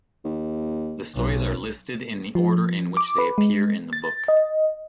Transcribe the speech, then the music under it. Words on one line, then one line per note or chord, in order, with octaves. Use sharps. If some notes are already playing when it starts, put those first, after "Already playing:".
The stories are listed in the order in which they appear in the book.
D#2
B1
F3
D6
B4
G#3
A6
D#5